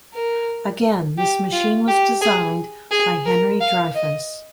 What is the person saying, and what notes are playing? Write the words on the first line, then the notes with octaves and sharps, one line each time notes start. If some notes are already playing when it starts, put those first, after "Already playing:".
Again, this machine was designed by Henry Dreyfuss.
A#4
G4
F4
G4
G#4
G#4
A#4
F5
D#5